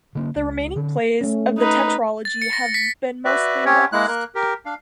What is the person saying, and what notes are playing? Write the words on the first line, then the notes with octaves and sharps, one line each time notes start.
The remaining plays of the tetralogy have been mostly lost.
D3 A#3 C#4
C#2
D3 C#4
A3 C#4
D#4 B4
A6
C#7
A#6
B6
F#4 B4 D5 E5
C4 C#4 G4 C#5
G#3 A#3 E4 F#6
A#3 A#4 F#6
G4 A#4
D4 F5